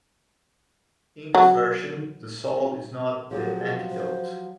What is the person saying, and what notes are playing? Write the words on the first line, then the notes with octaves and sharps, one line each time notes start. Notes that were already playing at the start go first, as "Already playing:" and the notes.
In this version, the salt is not the antidote.
F#3
F3 F#3 G4 G#4
C5